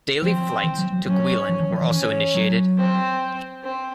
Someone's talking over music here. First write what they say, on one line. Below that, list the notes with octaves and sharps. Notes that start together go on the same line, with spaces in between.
Daily flights to Guilin were also initiated.
F3 C4
E3
F#3
F#3
F#3 C#4
F3
E3
F3
E3
C#4
F#3
C4
C4